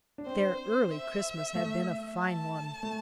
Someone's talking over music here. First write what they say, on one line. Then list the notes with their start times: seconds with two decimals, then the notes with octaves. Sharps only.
Their early Christmas had been a fine one.
0.18 D4
0.26 C4 C5
0.91 E5
1.55 A3
2.19 A5
2.83 A3